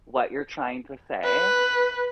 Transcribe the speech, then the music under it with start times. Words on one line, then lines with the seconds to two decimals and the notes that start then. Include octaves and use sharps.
what you're trying to say.
1.24 B4